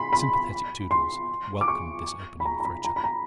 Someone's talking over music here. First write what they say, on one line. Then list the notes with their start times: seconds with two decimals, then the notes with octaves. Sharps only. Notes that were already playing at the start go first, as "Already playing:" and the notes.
The sympathetic Toodles welcomed this opening for a chuckle.
Already playing: B5 C6
0.13 B5
0.91 C6
1.61 D6
1.68 C#6
2.40 B5
2.45 A#5
2.60 A#5
2.65 B5
2.85 A#5
2.96 B5
3.04 A#5